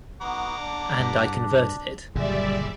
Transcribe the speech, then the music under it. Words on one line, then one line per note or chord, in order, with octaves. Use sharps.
And I converted it.
B3 D#4 F#4 F#5 A#5 D6
D4
G2
F#1 A#2 D3 G3 G#3 D5 E5